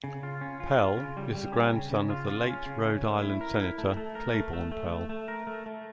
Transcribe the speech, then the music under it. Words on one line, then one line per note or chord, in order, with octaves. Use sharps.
Pell is the grandson of the late Rhode Island Senator Claiborne Pell.
C#3
F4
C#4
F4
F4
C#3
G3
G3
C#4
C#3
C#3
F4
F4
C#4
C#3
C#4
A3
E4
A#4
E4
A3
A3
A#4
A3
A3
A3
A3
A3
A#4
A3
A3